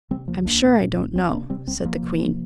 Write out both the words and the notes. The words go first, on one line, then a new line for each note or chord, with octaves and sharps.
"I'm sure I don't know," said the queen.
C3 G3 C4
D2 F3 A#3
C2 A#3 D4
A#2
A#2
C2
C2 G3 C4
C3 A#3 D4
C3 G3 C4
C2 G3 C4
C2 F3 A#3
C3
C3